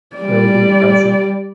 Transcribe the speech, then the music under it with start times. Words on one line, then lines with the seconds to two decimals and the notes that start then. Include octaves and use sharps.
That would be impressive.
0.17 G3 D5